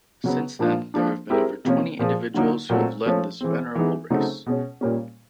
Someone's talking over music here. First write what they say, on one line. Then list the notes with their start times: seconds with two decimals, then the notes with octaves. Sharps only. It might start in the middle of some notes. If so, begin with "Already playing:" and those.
Since then there have been over twenty individuals who have led this venerable race.
0.24 C#3 F#3 B3
0.59 A#2 F3 A#3 D4 F4
0.94 F3 A#3 D4
1.30 G#3 C4 E4 G4 A#4
1.65 C3 F3 A#3 C#4
1.99 A#2 F3 G#3
2.34 D3 F#3 A#3 D#4
2.70 A#2 F#3 A3 C4
3.06 F3 A3 C#4
3.41 E3 G#3 C4
3.75 E3 G#3 B3 D#4
4.10 C#3 F#3 A3 C4 D#4
4.46 B2 G#3 C#4
4.81 A#2 G3 A#3 C#4